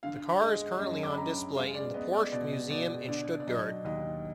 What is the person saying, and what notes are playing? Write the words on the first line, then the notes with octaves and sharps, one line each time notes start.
The car is currently on display in the Porsche Museum in Stuttgart.
D3 F5
G#3 D#5
F#2 D#5
D6
B5
F#2 A#5
G#3 F5
D5
B3 D#5
D5
B2 D5
B2 D5
D3 D5
D5
F#3 D#5
D#2 D#5